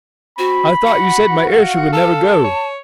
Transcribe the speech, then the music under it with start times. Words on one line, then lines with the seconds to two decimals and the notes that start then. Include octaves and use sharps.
I thought you said my airship would never go!
0.39 C4 F#4 B5
0.86 F#4 F#5
1.48 F5
1.93 A4 A5
2.44 C#5